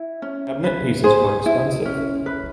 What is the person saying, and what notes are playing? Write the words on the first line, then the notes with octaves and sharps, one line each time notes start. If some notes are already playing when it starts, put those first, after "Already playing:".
Cabinet pieces were expensive.
Already playing: E4
C#4
B4
G#4 C5
E4
C#4
B4